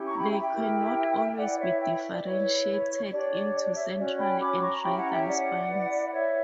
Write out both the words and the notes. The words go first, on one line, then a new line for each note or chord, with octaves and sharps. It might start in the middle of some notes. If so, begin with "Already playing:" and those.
They cannot always be differentiated into central and radial spines.
Already playing: C#4 E4 G4
A#5 C#6
G5 B5
E5 G5
E5 G5
E4 G4 A#4
E4 B4 D5 F#5
D5
C#5 E5
E5 G5
D5
E4 B4 C#5
D4 G4 C#5 D5
D5
D5
C#5 E5
C#5
C#4 F#4 C#5 D5
G5 B5
B5 D6
A#5 C#6
C#4 E4 G4 C#5 G5 B5
F#5 A#5
E5 G5
D5 F#5
E4 B4
F#5
C#5 E5